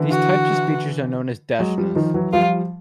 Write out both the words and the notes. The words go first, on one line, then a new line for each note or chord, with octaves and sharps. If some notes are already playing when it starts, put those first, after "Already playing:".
These types of speeches are known as deshnas.
Already playing: D3 E3
F#4
F#3 G#3
F3 G3
D#3 F3
E3 F#3
F3 G3 F4